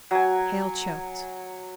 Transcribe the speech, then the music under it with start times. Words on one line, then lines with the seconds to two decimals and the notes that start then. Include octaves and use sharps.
Hale choked.
0.11 F#3 G#5